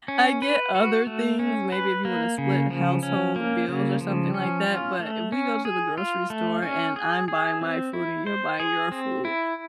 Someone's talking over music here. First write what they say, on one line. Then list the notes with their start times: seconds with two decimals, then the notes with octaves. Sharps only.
I get other things maybe if you wanna split household bills or something like that but if we go to the grocery store and I'm buying my food and you're buying your food,
0.08 C#4
0.42 B4
0.75 F#4
1.07 A3
1.39 C#4
1.72 B4
2.05 A#3
2.38 C#3
2.70 F3
3.03 C#4
3.36 A#3
3.68 C#3
4.01 F3
4.34 C#4
4.67 F4
4.99 A3
5.32 C#4
5.65 G#4
5.98 F4
6.30 A3
6.63 C#4
6.96 G#4
7.28 G#4
7.61 C4
7.93 E4
8.26 C5
8.60 G#4
8.92 C4
9.25 E4